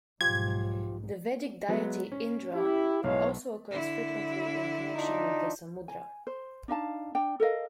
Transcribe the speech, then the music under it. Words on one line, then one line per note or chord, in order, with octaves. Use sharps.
The Vedic deity Indra also occurs frequently in connection with the Samudra.
B1 G#2 F3 F4 G4 G#6
F#3 G#3 B3
C#4
E4 G4
B1 E3 G#3 C#5 F5
D3 E4
D4 D#4 F4
G#5
C5
D4 D#4 F5 A5
D4 G5
A4 A#4 D#5 F5